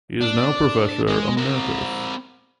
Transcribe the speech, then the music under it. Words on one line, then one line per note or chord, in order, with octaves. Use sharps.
He is now Professor Emeritus.
D4
G#3
C4 A#4